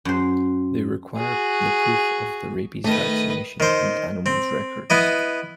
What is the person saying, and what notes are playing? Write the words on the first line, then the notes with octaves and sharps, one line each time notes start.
They require the proof of the rabies vaccination in the animal's records.
F#2 C5
F#4 G#4
D#3 A3 B4 D#5
D#3 C5
C4
B3 E4 D#5